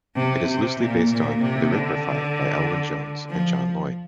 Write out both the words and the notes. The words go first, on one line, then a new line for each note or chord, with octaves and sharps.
It is loosely based on "The Ripper File" by Elwyn Jones and John Lloyd.
C3
C3
A#2
A#2
C3
D3
F3